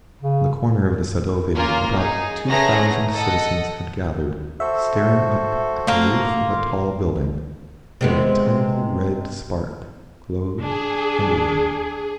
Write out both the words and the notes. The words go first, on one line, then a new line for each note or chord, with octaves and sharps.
On the corner of the Sadovaya about two thousand citizens had gathered, staring up at the roof of a tall building, where a tiny red spark glowed and waned.
C#3
A#3 C#4 F4 A#4
D#4 G#4
A3 B3 C#4 G#4 A#5 A#6
A4 D#5 F#5
F#4 A4 C5 E5
A3 A#3 F4
C3 G#3 B3
D4 G#4